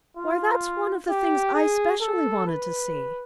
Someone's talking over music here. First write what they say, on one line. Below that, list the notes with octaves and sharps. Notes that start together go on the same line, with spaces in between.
"Why, that's one of the things I specially wanted to see."
F4
G4
G#4
A4
B4